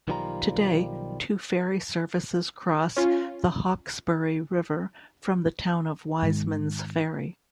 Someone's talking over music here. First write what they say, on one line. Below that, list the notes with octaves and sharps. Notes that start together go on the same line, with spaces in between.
Today, two ferry services cross the Hawkesbury River from the town of Wisemans Ferry.
B1 D#3 F3 G3 F4 A#5
C#4 F4
G#2 D#3 G#3